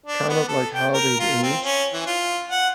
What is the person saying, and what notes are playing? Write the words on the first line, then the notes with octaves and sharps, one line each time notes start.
kind of like how they've aged,
D4
B3
A4
G5
A#4
F4
C4
C#4
E3
F4
F#5